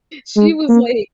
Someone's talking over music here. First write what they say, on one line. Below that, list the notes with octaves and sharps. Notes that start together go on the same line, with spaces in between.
she was like,
G#3
A#3